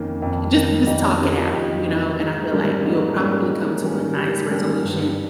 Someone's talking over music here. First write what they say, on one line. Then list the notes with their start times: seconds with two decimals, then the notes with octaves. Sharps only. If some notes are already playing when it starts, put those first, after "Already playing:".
just just talk it out, you know, and I feel, like, you'll probably come to a nice resolution
Already playing: F2 D#3 A#3 C#4
0.22 F2
0.55 D#3 A#3
0.87 F2 D#4 D#5
1.04 C#4 C#5
1.20 D#3 A#3 G4
1.37 F4
1.53 F2 G4
1.87 D#3 A#3
2.20 G#2
2.52 G3 A#3 C#4
2.85 G#2
3.18 G3 A#3 C#4
3.50 G#2
3.84 G3 A#3 C#4
4.17 G#2 G4
4.49 G3 A#3 C#4
4.83 G2